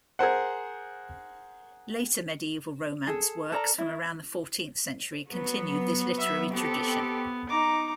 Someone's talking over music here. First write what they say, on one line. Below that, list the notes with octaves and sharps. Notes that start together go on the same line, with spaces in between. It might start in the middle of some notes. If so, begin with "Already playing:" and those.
Later medieval romance works from around the fourteenth century continued this literary tradition.
G#4 A#4 C5 F#5
G#4 A4
A4 A#4 D5 A#5
E4
F#3 B3
E5
B3 C4 G4 A4
D#4 A#5 D6